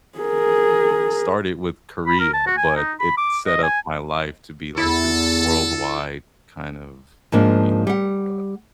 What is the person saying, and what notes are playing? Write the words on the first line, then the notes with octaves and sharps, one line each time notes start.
started with Korea, but it set up my life to be like this worldwide kind of, you know, uh,
G#4 A#4
B5
A#4
A5
F#4
G#5
D#4
B5
D6
D#5
G#5
E2 E4 A4
G#2 F3 A#3 D4
G3 F#5